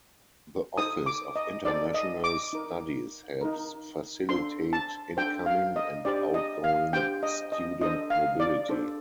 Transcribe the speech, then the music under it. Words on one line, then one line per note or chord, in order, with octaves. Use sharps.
The Office of International Studies helps facilitate incoming and outgoing student mobility.
D#4 A4 C5 D#6
D6
D#5
D#4 A4 C5 D5
D#5
D6
D#4 A#4
D#4 A#4
D4 A4 C5 C6
A5
D4 A4 C5 G5
F5
D#5
D4 G4 C5 D5
D#5
F5
D4 G4 C5 G5
D#5
D#5
D4 A4 C5 D#5
F5
D5
D4 A4 C5